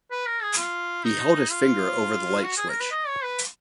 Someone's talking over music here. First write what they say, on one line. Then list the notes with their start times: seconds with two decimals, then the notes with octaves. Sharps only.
He held his finger over the light switch.
0.11 B4
0.27 A#4
0.42 G#4
0.57 F4
1.04 D#4
1.51 F4
2.44 F#4
2.57 G#4
2.69 A#4
2.80 B4
2.91 D#5
3.07 C#5
3.23 B4